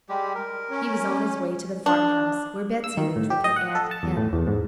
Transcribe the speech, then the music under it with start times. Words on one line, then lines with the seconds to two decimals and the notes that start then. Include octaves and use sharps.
He was on his way to the farmhouse where Betsey lived with her Aunt Hannah.
0.09 G3 G#3 G4
0.35 A#4
0.70 C#4
1.86 D4
2.84 E6
2.97 D#3
3.16 A2
3.30 G4
3.44 D#5
3.56 F#5
3.75 A4
3.91 A5
4.03 E2
4.17 A2
4.33 E2
4.47 G#2